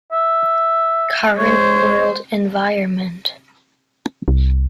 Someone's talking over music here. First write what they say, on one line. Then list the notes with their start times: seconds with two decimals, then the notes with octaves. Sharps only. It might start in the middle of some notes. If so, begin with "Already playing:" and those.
Current World Environment.
0.12 E5
1.38 G#3 C5 C#5
4.28 C2